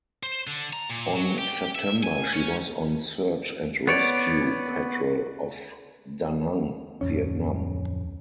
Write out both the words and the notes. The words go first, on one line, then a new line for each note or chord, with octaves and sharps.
On September she was on search and rescue patrol off Da Nang, Vietnam.
C5
D3
A#5
A#2
F#3
G4
E5
G#5
C#4
B3 C#5 D5
D1 F2 C#4